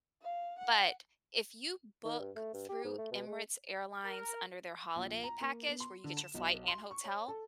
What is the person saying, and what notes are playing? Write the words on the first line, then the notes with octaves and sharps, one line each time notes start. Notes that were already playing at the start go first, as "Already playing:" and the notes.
but if you book through Emirates Airlines under their holiday package where you get your flight and hotel,
F5
F#5
D#3
G2
A3
G2
G4
G#2
A3
B2
G#3
A#4
A#1
A#5
A#3
B3
C6
D3
E7
B1
C6
C#6
C#5
A4